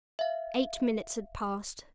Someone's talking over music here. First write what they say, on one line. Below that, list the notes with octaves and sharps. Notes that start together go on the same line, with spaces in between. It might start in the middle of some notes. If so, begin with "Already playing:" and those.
Eight minutes had passed.
E5 F5